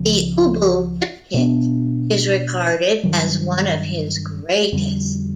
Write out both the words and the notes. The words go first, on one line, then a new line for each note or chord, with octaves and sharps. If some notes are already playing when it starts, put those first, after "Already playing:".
"The Ubu diptych" is regarded as one of his greatest.
Already playing: C#2 C#3 F3
B2 G#3 B3 D4
G2 D#3 F#3
F2 D3 G3